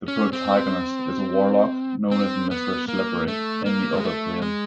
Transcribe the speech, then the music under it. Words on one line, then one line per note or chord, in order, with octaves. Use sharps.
The protagonist is a warlock known as "Mr. Slippery" in the Other Plane.
C#4
C4
C4
B3
A#3
A3
A#3
G#3
A3
G#3